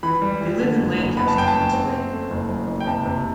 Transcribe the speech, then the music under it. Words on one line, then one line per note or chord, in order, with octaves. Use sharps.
They live in Lancaster, Pennsylvania.
E3 B5
G3
E3
D3
F#1
F#1
B3 B5
A5
F#2 G5
A5
F#2
C4
C4
A3
F#1
F#2
F#1
G5
C3 A5
C3